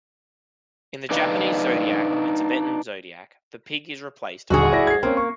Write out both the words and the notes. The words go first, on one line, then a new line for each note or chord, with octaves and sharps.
In the Japanese zodiac and Tibetan zodiac, the Pig is replaced by the boar.
D4 D#4 B4 D5 D#5 F5
D#1 D3 F#4 G#4
E4 D5 A#6
G#6 C7
A#3 C4 C#4
C#6